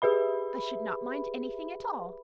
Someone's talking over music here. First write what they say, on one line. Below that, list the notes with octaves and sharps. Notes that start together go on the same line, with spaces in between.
"I should not mind anything at all."
G4 G#4 B4 E5 B5